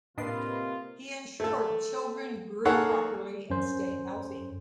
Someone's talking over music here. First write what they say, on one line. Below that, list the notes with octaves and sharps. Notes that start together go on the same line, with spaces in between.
He ensured children grew properly and stayed healthy.
A2 C3 A#3 D4 F4 B4 D#5 C7
A3 A4
A#3 D#4 G#4 A4 C#5 F#5
F#2 C#4 C5